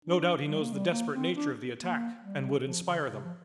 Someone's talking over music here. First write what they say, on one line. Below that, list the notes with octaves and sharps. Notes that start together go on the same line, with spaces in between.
No doubt he knows the desperate nature of the attack, and would inspire them.
D4
G3
A#3
G3
A#3
C4
D4
A#3
G3
F3
D3
C3
F3